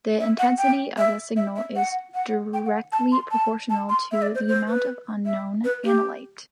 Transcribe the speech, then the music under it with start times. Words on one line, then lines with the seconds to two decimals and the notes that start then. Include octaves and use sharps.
The intensity of the signal is directly proportional to the amount of unknown analyte.
0.20 E5
0.39 F#5
0.58 G5
0.98 E5
1.36 E5
1.56 E5
1.76 F#5
2.15 F#5
2.54 G5
2.66 F#5
2.92 A5
3.12 C6
3.31 A5
3.70 A5
3.89 C6
4.12 E5
4.22 D5
4.35 C5
4.49 C5
4.68 B4
5.26 E5
5.64 B4
5.85 G4